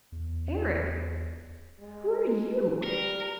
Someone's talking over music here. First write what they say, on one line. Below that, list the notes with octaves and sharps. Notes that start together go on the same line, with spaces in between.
"Eric,--who are you?"
E2
G#3
G3 A#4